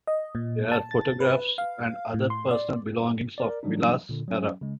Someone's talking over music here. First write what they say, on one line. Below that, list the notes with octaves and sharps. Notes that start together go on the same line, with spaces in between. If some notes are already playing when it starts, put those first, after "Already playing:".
There are photographs and other personal belongings of Villa's era.
D#5
A#2
A5
A6
B4
F5
A2
C6
D5
A#4 D5
E3 F#3 G3 D4 D#4
A#2 D3
F#3 C#4
C#3 G#3